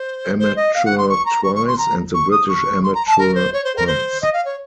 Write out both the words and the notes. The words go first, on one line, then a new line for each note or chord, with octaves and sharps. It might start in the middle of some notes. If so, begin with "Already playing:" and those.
Amateur twice, and the British Amateur once.
Already playing: C5
C5
D#5
F5
F#5
C6
C#6
A#5
C#6
C#6
C6
A#5
C#6
D#6
C#6
C6
A#5
A5
A#4
C5
C#5
C5
A#4
C5
D#5
F5
C#5